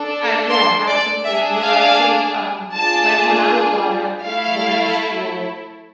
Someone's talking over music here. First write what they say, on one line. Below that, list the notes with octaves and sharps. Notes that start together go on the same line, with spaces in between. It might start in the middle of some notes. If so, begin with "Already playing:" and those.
Ah, yeah, absolutely, and you're right, so, l um, like, when I was brought up going to school,
Already playing: D4 A4
C6
D5
D4 G#4 E5
F5
D4 F4 G#4 A5
A3 E4 A4 F5